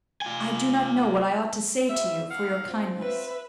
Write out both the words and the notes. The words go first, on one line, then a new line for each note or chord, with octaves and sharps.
"I do not know what I ought to say to you for your kindness."
F4 G#5
F3 G3 E5
D#2 F5 F#5
C4 F4
B4 E5